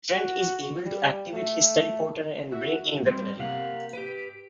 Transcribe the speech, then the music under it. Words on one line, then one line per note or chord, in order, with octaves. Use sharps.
Trent is able to activate his teleporter, and bring in weaponry.
F#4
G3
A3
E4 F#4 E5
G3 C4
C3 A#3 G4 F5 F#5
G4 B4 B6 D7